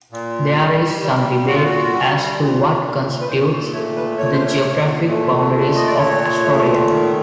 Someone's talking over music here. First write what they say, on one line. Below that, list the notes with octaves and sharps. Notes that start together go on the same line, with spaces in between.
There is some debate as to what constitutes the geographic boundaries of Astoria.
A#2
G3
G3
A#2 F#4
F4
F#4
G3
A#2
A#2
B4
A#2 C5
A3 C#5
B4
A#2 C#5
C5
C#5
A#2
A3
A#2
D#5
D5
A#2 C#5
A3
D#3